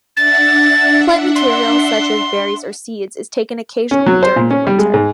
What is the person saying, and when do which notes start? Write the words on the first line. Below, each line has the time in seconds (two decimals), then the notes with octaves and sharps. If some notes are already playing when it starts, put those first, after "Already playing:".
Plant material, such as berries or seeds, is taken occasionally during the winter.
0.16 D4 E5 F#5 A6
1.35 C6
3.91 C#4
4.06 F#3
4.23 C5
4.36 A#2
4.51 C#4
4.67 G3
4.79 G#3
4.94 G#2